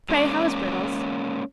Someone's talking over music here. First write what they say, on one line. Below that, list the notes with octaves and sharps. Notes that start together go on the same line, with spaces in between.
Pray, how is Brittles?'
F#3 G#3 A#3 C#4 C#5 D5